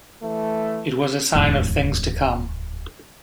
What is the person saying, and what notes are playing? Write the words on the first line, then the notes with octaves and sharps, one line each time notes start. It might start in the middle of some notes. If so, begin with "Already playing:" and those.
It was a sign of things to come.
E3 A3
D1 E2 G#2